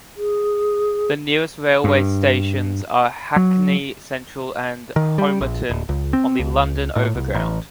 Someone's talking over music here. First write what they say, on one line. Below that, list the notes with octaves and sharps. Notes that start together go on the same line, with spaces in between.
The nearest railway stations are "Hackney Central" and "Homerton" on the London Overground.
G#4
G2
F#3
D#3
G3
A#1
D1
C#2
C4
C#2
A2
C2
A1